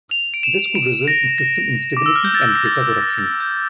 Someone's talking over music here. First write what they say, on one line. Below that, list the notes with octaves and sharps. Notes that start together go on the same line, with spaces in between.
This could result in system instability and data corruption.
F7
D7
E7
D7
A#6
A#6
D6
E6
F6
G6
A6
A#6
A6
A#6
A6
G6